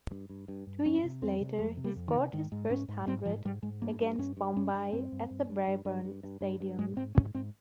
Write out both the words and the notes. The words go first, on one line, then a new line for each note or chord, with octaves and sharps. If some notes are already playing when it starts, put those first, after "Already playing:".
Two years later he scored his first hundred, against Bombay at the Brabourne Stadium.
G2
G2
G2
G2
F2 C#4
C3
F2 C4
C3
F2 G#3
C3
G3
F2
D#3
C3
G#2 D#3
G#2
G#2 C#4
G#2
G#2 C4
G#2 F3
G#2 G3
G#2 G#3
G2 A#3
G2
G2 C#4
G2
G2 C#4
G2
G2 C4
G2
G2
G2
G2
G2
G2
G2
G2
G2
G#2 G#3
G#2 C4
G#2 C#4
G#2 C4